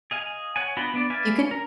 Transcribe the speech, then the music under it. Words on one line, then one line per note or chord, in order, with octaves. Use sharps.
You can
G#4 D#5 F5 G#5
C#5 F#5 G#5
B3 D4 F4 F#4 B5
B3 D4 D5
B4 D5 E5 F5 G#5
A#4